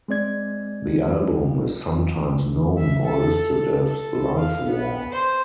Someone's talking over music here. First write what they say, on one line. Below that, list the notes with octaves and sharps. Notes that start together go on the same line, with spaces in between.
The album is sometimes known or listed as "Live War".
G#3 C4 D5 G#6
E5
A4
A4
F5
B3
C5